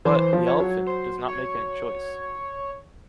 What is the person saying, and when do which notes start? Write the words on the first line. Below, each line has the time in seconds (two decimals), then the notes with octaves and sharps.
But, the elephant, does not make any choice.
0.05 E3 C5
0.33 F3
0.47 C#5
0.60 F#3
0.87 C5
1.28 C#5